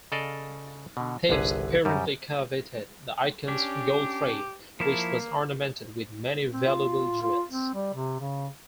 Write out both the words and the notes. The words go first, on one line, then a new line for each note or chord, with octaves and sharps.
Thieves apparently coveted the icon's gold frame, which was ornamented with many valuable jewels.
C#3 A4 D5 D#5 F5
B2 D3
G1 C2 D3 G#4 B4
F#2 C#3 G3
C#4 D4 G4
F3 A#3 E4 A5
C4
F4
F4
C4
G3
C3
C#3